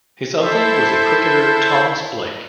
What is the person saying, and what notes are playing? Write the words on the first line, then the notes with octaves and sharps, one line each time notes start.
His uncle was the cricketer Thomas Blake.
E4 A4 C5 E5